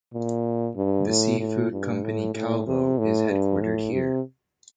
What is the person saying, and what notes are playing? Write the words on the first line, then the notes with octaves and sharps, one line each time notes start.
The seafood company Calvo is headquartered here.
A#2
G2
A2
A2
G2
A2
A2
C3
A2
G2
A2
C3